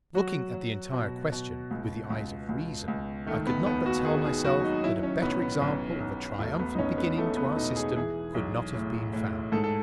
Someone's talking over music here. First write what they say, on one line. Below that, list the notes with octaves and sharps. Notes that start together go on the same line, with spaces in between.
Looking at the entire question with the eyes of reason, I could not but tell myself that a better example of a triumphant beginning to our system could not have been found.
F#3 F#4
F#3
B2
B2
C#2
C#2
C#2
C#2
D#3 A3
B3
D#2 B3
F#4
D#3 G#4
G#4
F#3 F#4
D#4
F#3 E4
C#4
B1 B3
B3
B1 C#4
B1
E1 A3
B3
D#4
E1 C#4
B3
E2 A3
B3
B2 D#4
G#4
E3 G#4
B1
A2
A2
G#2 A4
A4